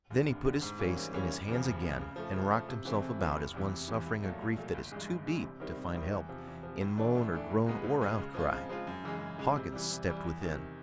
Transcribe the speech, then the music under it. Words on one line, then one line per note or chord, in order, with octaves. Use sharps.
Then he put his face in his hands again and rocked himself about as one suffering a grief that is too deep to find help in moan or groan or outcry. Hawkins stepped within.
D#2 D3
F1
D#2 D3
G#2
E3 G3 A#3 C#4
G#2
E3 G3 A#3 C#4
F1
E2 C#3 F3
F1
E2 C#3 F3
C#3
F3 A3
C#3
F3 A3
C3
E3 A3 C4 E4
C3
E3 A3 C4 E4
F1
E2 C3 E3
F1
E2 C3 E3
C2
A#2 F#3 A3
C2
A#2 F#3 A3
G1
G2 E3 G#3
G1
G2 E3 G#3
C3
D#3 G3 C4 E4
C3
D#3 G3 C4 E4
E2
C3 F3
E2
F3
C3
A2
E3 A3 D4
A2
E3 A3 D4
C#2
B2 G#3 B3
C#2
B2 G#3 B3
C#3
F3 G#3 C4 F4
C#3
F3 G#3 C4 F4
F#2
C#3 E3 G#3
F#2
C#3 E3 G#3
C3
E3 G3
C3
E3 G3
E2
C3 D#3